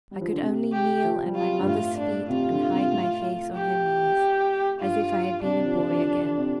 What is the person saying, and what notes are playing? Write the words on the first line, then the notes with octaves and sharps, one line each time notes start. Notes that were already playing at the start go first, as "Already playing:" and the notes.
I could only kneel at my mother's feet, and hide my face on her knees, as if I had been a boy again.
G3
F3
D3
C3
G4
F3
G3
F4
G2
A2 F4
D4
C3 F4
D3
C3
A2
G4
G2 F4
C3 D4
C3
F3
D3
F3
F3
D3
C3